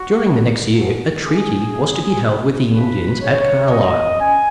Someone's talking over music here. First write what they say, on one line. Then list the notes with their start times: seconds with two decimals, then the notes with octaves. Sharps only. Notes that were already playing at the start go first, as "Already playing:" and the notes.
During the next year, a treaty was to be held with the Indians at Carlisle.
Already playing: F#4
0.23 A2 F#3 B3
0.72 G#2 D#3 A3
1.22 A2 G#3 C#4 G#4
1.72 A2 G#3 C#4
2.21 A2 G#3 B3
2.70 C#3 F#3 A3 B4
3.20 G#2 E3 G#3 C#4 C#5
3.70 C#3 F#3 C#4 D#5
4.19 C#4 G#5